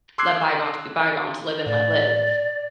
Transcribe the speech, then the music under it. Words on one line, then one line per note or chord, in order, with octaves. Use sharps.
let bygones be bygones? Live and let live."
C6 D6 E6 F#6 G#6 C7
A2 D5